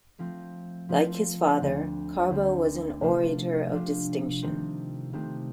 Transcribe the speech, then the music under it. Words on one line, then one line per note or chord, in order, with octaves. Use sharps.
Like his father, Carbo was an orator of distinction.
F3 A3 C4 F4
F3 A3 C4 F4
D2 D3 A3 C4
D2 D3 A3 C4
C3 F3 A3 D4 F4
C3 F3 A3 D4 F4
C3 D#3 A3 C4
C3 D#3 A3 C4